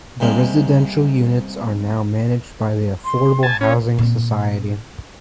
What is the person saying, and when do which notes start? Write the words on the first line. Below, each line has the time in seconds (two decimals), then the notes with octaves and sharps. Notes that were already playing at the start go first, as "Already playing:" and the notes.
The residential units are now managed by the Affordable Housing Society.
0.20 C2 C3 G#3 A#3
3.04 C6
3.43 G#5 A5
3.61 C#4 C#5
3.98 A#2 C4